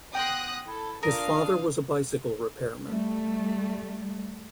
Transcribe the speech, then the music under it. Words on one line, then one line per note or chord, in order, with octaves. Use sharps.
His father was a bicycle repairman.
B3 G5 C6 D#6 F#6 A#6
E4 A4
D4 F4 A#4 F5 D#6
G3 A3